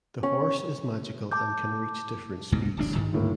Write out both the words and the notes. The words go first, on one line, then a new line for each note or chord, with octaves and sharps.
The horse is magical and can reach different speeds.
C#4
A5 D6 G6
C2 G#2 B2
D1 A1 D4
G2 D#3
D2 A2 A#3